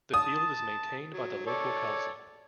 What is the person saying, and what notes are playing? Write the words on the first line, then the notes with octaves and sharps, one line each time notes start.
The field is maintained by the local council.
A5 D#6
F#3
A4 C#5 D5